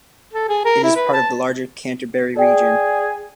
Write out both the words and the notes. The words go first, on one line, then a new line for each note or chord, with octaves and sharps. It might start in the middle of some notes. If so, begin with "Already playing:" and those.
It is part of the larger Canterbury region.
A4
G#4
A#4
E4
B4
A5
G#4 D5 G5